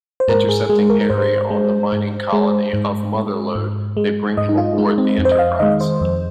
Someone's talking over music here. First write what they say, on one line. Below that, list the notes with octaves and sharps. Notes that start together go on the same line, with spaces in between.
Intercepting Harry on the mining colony of Motherlode, they bring him aboard the "Enterprise".
C5
G#2 A#4
G#4
G#3 G#4
A#4
A#4
G#2 C5
G#3
G#2
G#3
G#2
G#3
G#2
G#3
G#2 D#5
D#4
F4
G#3 D#4
C4
F2
C5
D#5
F5
D#3 G#3 D#5
C5
F2